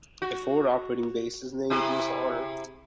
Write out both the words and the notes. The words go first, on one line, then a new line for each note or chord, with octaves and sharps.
A forward operating base is named in his honor.
F#4
C3 E4 G#4